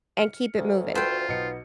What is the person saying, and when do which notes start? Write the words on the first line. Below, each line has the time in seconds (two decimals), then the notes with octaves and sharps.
and keep it moving."
0.18 F6 C#7
0.58 D2
0.95 F4 F#4 A4 B4 C5 G5
1.29 B1 B3 D#4 C#7